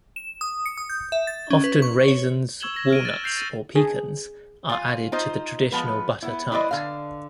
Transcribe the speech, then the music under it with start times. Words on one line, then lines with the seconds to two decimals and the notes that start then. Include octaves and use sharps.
Often raisins, walnuts or pecans are added to the traditional butter tart.
0.16 E7
0.41 D#6
0.66 C#7
0.77 D#6
0.89 G6
1.12 E5
1.27 A6
1.50 C#4
1.64 B4
1.82 C#6
2.08 C#5
2.60 C#6 E6 G#6 E7 F#7 G7
2.74 G#6 A#6 F#7
2.90 F6 D7 D#7
3.05 A6
3.24 G6 A6 C7 D7 F7 F#7
3.37 A6 D#7 F#7
3.76 G#4
4.69 F4 F5 G#5
5.12 D#4 F4 C5 D#5
5.72 F3 G#3 B3 B4
6.22 B3 E4
6.52 E4 B4 C5 D5 D#5
6.71 D3 F5